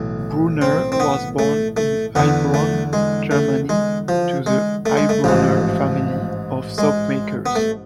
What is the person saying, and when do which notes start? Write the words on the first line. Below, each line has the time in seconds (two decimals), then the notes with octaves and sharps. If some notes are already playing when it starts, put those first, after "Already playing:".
Bronner was born in Heilbronn, Germany, to the Heilbronner family of soap makers.
Already playing: B1 A2 E3
0.62 C4
0.92 C4
1.00 B3
1.39 A3
1.77 A3
2.15 E2 D3 B3
2.54 A3
2.93 G#3
3.31 A3
3.69 G#3
4.08 F3
4.46 G#3
4.86 A3
4.97 G#3
5.09 A3
5.24 A1 G#2 E3 F3
6.78 G#3
7.46 B3
7.55 A3